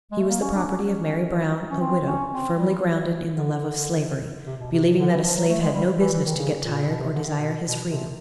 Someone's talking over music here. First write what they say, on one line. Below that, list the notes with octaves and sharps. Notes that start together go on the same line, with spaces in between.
He was the property of Mary Brown, a widow, firmly grounded in the love of Slavery; believing that a slave had no business to get tired or desire his freedom.
G#3
A3
A#3
C#4
D4
C#4
C#4
C4
C#4
C4
G3
D3
C3
B2
C3
C3
D3
E3
F3
F#3
A3
G#3
G3
E3
E3
D#3
C#3
A#2
B2
C3
D3
D#3
B2
B2
C3